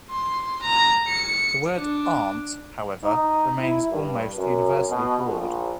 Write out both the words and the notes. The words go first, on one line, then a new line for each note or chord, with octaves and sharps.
The word "aunt", however, remains almost universally broad.
C6
A#5
C#7
D4
D#4
E4
G2
F#2
B2
A#1